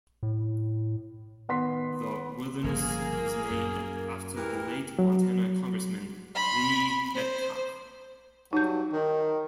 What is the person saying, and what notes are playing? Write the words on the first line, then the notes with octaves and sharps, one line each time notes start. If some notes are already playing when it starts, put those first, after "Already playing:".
The wilderness was named after the late Montana congressman Lee Metcalf.
A2
D#3 B3 C6 B6
G1 F3 A#3 G#4
F#2
E3 G4 A#4
F#3
B5 C6
C5
G2 F#3 D#4 A5 G6
D#3